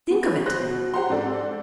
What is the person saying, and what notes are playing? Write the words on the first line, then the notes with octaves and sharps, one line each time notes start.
Think of it!
B3
B4 C#5
C5 F#6 A#6
B2
F4 G4 C5 F#5 A#5 C6
G#2 C4 D4 A4 D5